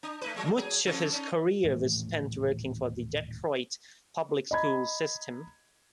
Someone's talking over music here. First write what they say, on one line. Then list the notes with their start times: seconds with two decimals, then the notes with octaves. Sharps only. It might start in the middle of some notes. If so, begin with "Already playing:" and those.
Much of his career was spent working for the Detroit public schools system.
0.03 D4
0.21 A3 D#4 B4
0.34 F3 G#3 A#3
0.56 F#3 G#4
0.86 F2 A2 A4
1.12 C#4 D#4
1.64 D#1 A2 E3 A3
4.51 D#5 A#5 B5 G#6